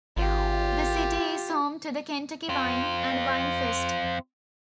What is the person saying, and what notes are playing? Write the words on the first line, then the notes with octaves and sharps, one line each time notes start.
The city is home to the Kentucky Wine and Vine Fest.
G#1 F4 G4
C4 F4